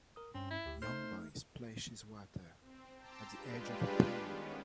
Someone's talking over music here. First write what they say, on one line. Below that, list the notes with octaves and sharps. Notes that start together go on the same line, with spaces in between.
Young boy splashes water at the edge of a pool.
A#4 D#6
G2 C4 C#4
E4
D2 G4
A3 D#4 C5 F6
C4
G5 A5 A#5 C6 D6 E6
G3 G#3 D4 F4 G4 B4
D#3 B3 C#4